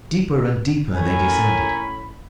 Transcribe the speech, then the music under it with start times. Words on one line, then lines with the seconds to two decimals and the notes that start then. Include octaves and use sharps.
Deeper and deeper they descended.
0.96 A2 C#4 A#4 G#5 B5